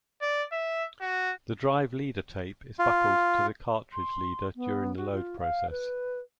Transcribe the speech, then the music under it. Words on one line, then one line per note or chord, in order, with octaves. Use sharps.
The drive leader tape is buckled to the cartridge leader during the load process.
D5
E5
F#4
F4
C6
B3
F#4
F4
F5
B4